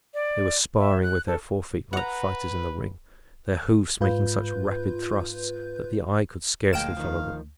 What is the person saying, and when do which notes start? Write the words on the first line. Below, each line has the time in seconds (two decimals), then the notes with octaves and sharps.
They were sparring with their fore feet like fighters in the ring, their hoofs making such rapid thrusts that the eye could scarcely follow them.
0.14 D5
0.79 E5
1.03 F#6
1.27 A4
1.93 B4 F#5 A#5
4.01 G#2 F4 B4 G6
6.73 D2 A#2 F3 G#3 F5 G5 D7 E7
6.97 D#3 F3